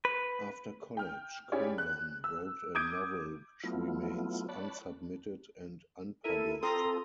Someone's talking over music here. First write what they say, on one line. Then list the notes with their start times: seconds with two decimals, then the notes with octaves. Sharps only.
After college Conlon wrote a novel which remains unsubmitted and unpublished.
0.05 B4
0.97 G5 F6
1.52 C#4 E4 G4 G#4 C#5 D5
1.78 F#6
2.24 E6
2.75 D6 D#6 G6 G#6 D7
3.63 F#3 A3 B3 E4 F4
4.49 C#5 D5 A5 B5 F#6
6.24 E4 A4 A#4 E5 D#7
6.63 C4 F4 A4 A#5 C6 D#6